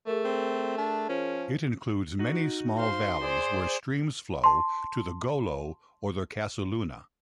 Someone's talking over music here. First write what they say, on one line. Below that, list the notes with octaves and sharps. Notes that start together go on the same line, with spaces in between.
It includes many small valleys where streams flow to the Golo or the Casaluna.
A3 G#4 A#4
C4
D4
F3 C#4
D#4 F#4
C5 F5 C6
G#4 C5 D5
A5 C6